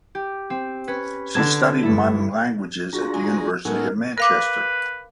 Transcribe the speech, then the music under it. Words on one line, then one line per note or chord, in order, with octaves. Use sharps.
She studied modern languages at the University of Manchester.
G4
C4
C#4 B4
D3 A5 G#6
G2 E4 A4
D4 F4 F#4 G#4 A#5
G#3
A2 F#3 G#3 B3 D#4 A#4
A#4 B4 F5 D6